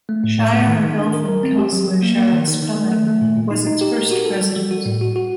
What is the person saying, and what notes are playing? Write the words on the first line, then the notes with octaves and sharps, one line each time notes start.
Shire of Eltham Councillor Charis Pelling was its first President.
A3
A2
A2
A3
D#3
D#3
D4
A#4
A#4
C4
G4
F#3
F#3
A#3
A#3
D#3
D#3
D#3
A3
A3
A3
A#2
A#2
D#4
D#4
G4
A#4
F#4
A4
G3
G3
F#4
A2
F#4
F#4